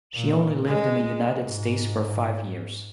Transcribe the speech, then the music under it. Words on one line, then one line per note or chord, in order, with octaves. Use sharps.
She only lived in the United States for five years.
A#2
G#3
G#2